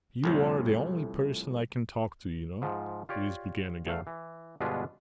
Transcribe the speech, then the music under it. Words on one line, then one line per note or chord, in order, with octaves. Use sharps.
"You are the only person I can talk to, you know," Lise began again.
C2 F2 A2
G#2 F3
F4 G4 C#5 D5
E2 A3 F5
E3
G1 B2 G#3 D4 F4 B4